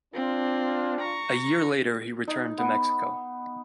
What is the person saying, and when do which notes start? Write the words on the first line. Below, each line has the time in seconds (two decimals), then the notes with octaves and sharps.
A year later he returned to Mexico.
0.14 C4 D4 F4
1.00 A#5 C#6
2.28 D#4
2.58 B3